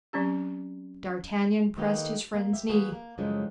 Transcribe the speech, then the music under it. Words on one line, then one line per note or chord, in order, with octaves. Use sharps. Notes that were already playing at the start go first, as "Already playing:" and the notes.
D'Artagnan pressed his friend's knee.
F#3 C4 C#4 G4
D#3 A3 A#3 D#4 G4 B4
A#3
G4 E5
E3 G3 A#3 F#4 G#4 B4
A#3
F#2 A2 C#3 F3 G3 G#3